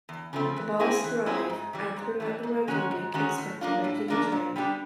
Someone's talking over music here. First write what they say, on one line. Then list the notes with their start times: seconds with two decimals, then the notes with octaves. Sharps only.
The bars thrive and throughout the working week expect a regular trade.
0.09 E2
0.33 C#3 F3 A3 C4
0.56 E3
0.80 G#3 C4 E4 G#4
1.04 E3
1.26 G#3 C4 E4 G#4
1.50 G#2
1.73 E3 G3
1.96 G#2
2.20 E3 G3
2.43 G#2
2.68 D#3 G#3 C#4 F#4
2.91 G#2
3.14 D#3 G#3 C#4 F#4
3.38 A2
3.61 F3 A#3 D4 F4
3.84 A2
4.08 F3 A#3 D4 F4
4.32 A#2
4.56 G3 B3 D4 G4